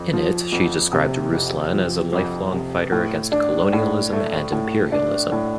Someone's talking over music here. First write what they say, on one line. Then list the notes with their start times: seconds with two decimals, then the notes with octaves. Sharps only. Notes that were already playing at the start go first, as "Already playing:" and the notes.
In it, she described Ruslan as a lifelong fighter against colonialism and imperialism.
Already playing: F2
0.13 F3
0.52 F2
0.93 C3
1.33 F2
1.73 F3
2.13 F2
2.53 C3
2.92 A2
3.32 D4
3.73 A2
4.12 A3
4.52 A2
4.92 D4
5.32 A2